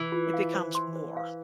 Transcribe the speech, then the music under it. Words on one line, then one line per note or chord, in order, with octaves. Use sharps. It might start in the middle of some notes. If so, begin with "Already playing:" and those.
it becomes more.
Already playing: E3
F4
F5
C5
C6
C5
F5